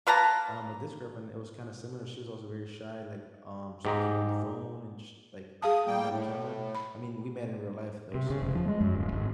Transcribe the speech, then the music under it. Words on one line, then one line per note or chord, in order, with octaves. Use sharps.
um, with this girlfriend, it was kinda similar, she was also very shy, like, um, speaking on the phone and just, like, being on camera, I mean, we met in real life, though, so,
A#3 B4 A5 A#5
G#2 G4 A#5
G#4 F5 A5 D#6
G3 A#3 G5
A2
B5
C3
C#3
F1
F3
G#3
F#2
D1
G#1